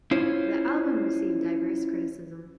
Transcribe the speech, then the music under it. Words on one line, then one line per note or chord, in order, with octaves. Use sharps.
The album received diverse criticism.
C#4 E4 F4 C5 C#5